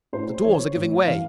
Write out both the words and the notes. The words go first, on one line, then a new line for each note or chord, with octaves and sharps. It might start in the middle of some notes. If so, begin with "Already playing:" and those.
The doors are giving way.'
A2 C5
E3 C#5
A2
E3 F5